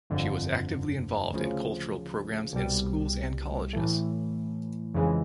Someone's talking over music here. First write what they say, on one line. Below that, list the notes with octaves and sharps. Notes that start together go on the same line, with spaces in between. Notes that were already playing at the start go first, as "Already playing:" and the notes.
She was actively involved in cultural programmes in Schools and Colleges.
G1 F2 D3
D2 C#3 F3
C2 B2 G3
A2 E3 A3
F2 C#3 E3 G#3